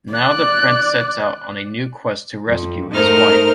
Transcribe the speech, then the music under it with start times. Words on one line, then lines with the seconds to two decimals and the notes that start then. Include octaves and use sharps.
Now the prince sets out on a new quest to rescue his wife.
0.14 D5 F#6
2.49 F2
2.92 G#2 A3 D#4 A#4 C5 F6